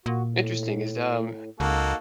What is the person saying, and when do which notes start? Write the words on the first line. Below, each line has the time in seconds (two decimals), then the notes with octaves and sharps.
Interesting, is, um,
0.06 A#2 F#4
0.31 A2
1.60 C#2 A#3 D#4 F#4 A4 F5